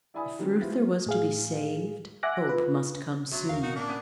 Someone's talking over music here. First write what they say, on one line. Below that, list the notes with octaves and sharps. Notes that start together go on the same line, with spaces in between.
If Reuther was to be saved, hope must come soon.
E4 D5 E5 G#5 B5 D#6
D#3 F#3 G#3 C#4
E3 C4 E4 F4
A2 G#4 F5
E5 F#5 G#5 D6 F#6 A#6
F4 B4
G#1 C3 F#3
D#2 A#4 F5
G#1 D#4 F#4
A2 A#3 D4
B3 C#4